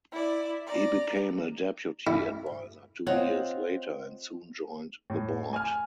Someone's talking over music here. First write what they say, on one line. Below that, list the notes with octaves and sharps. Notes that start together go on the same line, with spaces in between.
He became a deputy adviser two years later, and soon joined the board.
E4 D5
D5 A#5
E4
C4 F4 C#5 D#5 F#5 A#5
A2
G#5 F6